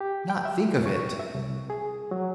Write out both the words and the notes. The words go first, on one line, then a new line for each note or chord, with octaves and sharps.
Not think of it!
G4
G5
E5
C#6
E5
C2
G#4
F#3